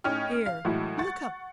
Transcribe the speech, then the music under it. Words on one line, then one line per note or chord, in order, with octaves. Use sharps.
Here, look up.
A2 C#4 D#4 G5 F6
F5
A2 E3 F#3 G#3 E4 F#4
F#5 C#6 A6